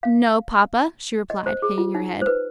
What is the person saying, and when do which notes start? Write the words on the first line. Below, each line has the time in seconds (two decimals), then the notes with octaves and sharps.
"No, papa," she replied, hanging her head.
0.03 F5
1.30 D#5
1.46 C5
1.62 G#4
1.78 F4
1.95 D#4
2.22 C5
2.27 B4